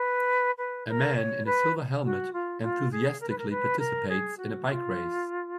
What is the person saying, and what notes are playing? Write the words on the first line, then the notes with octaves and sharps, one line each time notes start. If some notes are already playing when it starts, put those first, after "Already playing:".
A man in a silver helmet enthusiastically participates in a bike race.
Already playing: B4
B4
C#5
A#4
C#5
B4
F#4
F4
F4
G#4
A#4
B4
A#4
B4
A#4
G#4
F#4
G#4
F4